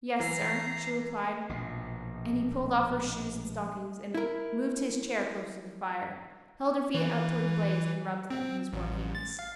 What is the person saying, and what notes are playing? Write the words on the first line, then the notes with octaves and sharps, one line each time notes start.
"Yes sir," she replied, and he pulled off her shoes and stockings, and moving his chair closer to the fire, held her feet out toward the blaze, and rubbed them in his warm hands.
E3 A#5 C7
A#1 B2
E4 A#4
E3
C4
A1
A6
F5